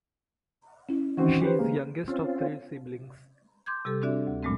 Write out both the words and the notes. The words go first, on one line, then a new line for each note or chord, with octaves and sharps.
She is youngest of three siblings.
C#4 E4
D#3 E3 C4 C#4 F#4
G4 B4 C5
G#3 A#3
C4 C#4 F4
C6 D6 G6 G#6
C3 G3 G4 A4
C4 D4 F#4 D5 E5
D2
G2 A#2 F#3 G#3 A3 C4